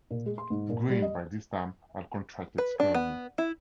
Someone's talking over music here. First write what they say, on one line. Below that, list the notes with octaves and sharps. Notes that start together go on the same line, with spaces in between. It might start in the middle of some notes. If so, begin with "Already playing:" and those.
Green, by this time had contracted scurvy.
A#2
G#3
C6
G#2
A#2
G3
D#5
B4
D4
B3
E4